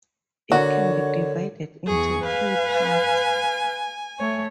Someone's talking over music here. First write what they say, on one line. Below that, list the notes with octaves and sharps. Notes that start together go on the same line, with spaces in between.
It can be divided into three parts.
D3 D4 F#4 A#4 C#5 D5
E2 G#4 C#6
B4 F5 G#5
A3 C#5